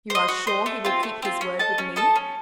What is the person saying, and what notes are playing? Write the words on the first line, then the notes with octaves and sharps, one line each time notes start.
"You are sure he will keep his word with me?"
C5 D#5
F#4
C5 D#5
A3
C4 F4
A3
C4 F4
C#4
A4 D#5 A5
C#4
A4 D#5 A5
C#4